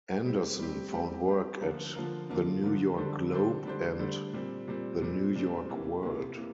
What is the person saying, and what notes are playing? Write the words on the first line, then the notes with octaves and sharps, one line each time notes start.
Anderson found work at "The New York Globe", and the "New York World".
G3 C4 G4
G3 C4 G4
G3 C4 G4
G3 C4 G4
D3 F3 A#3 F4 A#4
D3 F3 A#3 F4 A#4
D3 F3 A#3 F4 A#4
D3 F3 A#3 F4 A#4
D3 G3 D4 A4 C5
D3 G3 D4 A4 C5
D3 G3 D4 A4 C5
D3 G3 D4 A4 C5
A#2 G3 C4
A#2 G3 C4
A#2 G3 C4
A#2 G3 C4
C3 E3 A#3
C3 E3 A#3
C3 E3 A#3